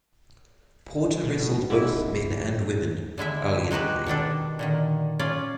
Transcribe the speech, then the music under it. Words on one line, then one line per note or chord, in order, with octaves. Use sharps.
Porter wrestled both men and women early in her career.
B2
G#2 E4
D3 G#3 E4 E5
G#3 D#4 F#4 G4 B4
B2 D#3 D4 A4
A#2 D3 D#3
C#4 F4 D5